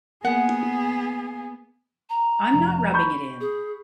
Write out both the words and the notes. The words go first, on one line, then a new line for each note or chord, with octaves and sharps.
I'm not rubbing it in.
A#3 B3 G#4 F#5
A#5
F1
B5 C#6 G6
G#4